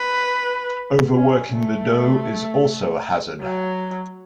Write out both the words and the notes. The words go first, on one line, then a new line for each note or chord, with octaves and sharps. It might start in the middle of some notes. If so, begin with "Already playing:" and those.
Overworking the dough is also a hazard.
Already playing: B4
C#4
A3
F#3